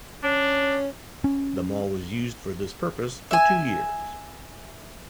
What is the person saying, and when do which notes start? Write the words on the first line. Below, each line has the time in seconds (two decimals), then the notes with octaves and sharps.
The mall was used for this purpose for two years.
0.24 C#4 D4
1.24 C#4
3.31 E5 G#5